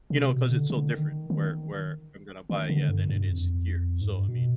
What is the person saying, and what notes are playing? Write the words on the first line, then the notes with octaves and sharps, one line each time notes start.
you know, 'cause it's so different where where I'm gonna buy yeah, than it is here, so, I mean
C3
B2
D3
D3
D#3
D#3
D#3
D3
G2
G2
F2
G#2
G2
B2